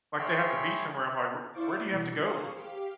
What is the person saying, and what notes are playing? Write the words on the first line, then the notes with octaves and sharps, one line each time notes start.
like, they have to be somewhere, I'm, like, "Wher where do you have to go?"
G#4 C#5 E5 G5 B5 C6
E4 C5 D5 F5 C#6 D6
B2 E3
G#4 A#4 C5 F5 C#6
G4 F5